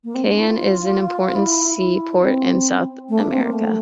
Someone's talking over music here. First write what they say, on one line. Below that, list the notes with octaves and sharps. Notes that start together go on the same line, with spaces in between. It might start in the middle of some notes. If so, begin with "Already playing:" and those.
Cayenne is an important seaport in South America.
A#3
C4
D4
E4
F4
E4
E4
C4
A3
D4
C4
A#3
A3